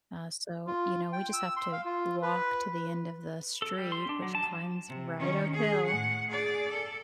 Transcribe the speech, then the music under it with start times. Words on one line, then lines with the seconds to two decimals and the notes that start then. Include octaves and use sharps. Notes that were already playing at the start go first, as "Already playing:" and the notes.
Uh, so, you know, we just have to walk to the end of the street, which climbs right uphill,
0.67 F4
1.13 G5
1.33 E6
1.57 C6
1.72 F5
1.85 F4
2.22 B4
3.62 A4
3.78 G3
3.92 C6
4.09 D4
4.22 F#3
4.35 A5
4.88 C3
5.18 D#3 C#4
5.53 G#4
5.86 A2 F#5
6.28 G#4 D5
6.71 A4